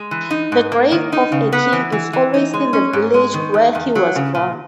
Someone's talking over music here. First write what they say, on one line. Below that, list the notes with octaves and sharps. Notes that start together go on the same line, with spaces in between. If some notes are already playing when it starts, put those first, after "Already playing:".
The grave of a king is always in the village where he was born.
Already playing: G#3
E3
D#4
G#2
A#3
D#3
D#4
C#3
B3
E3
E3
E3
D#4
G#3
C#4
G#2
G#3
D#3
E2
E2
F#3
C#3
A#2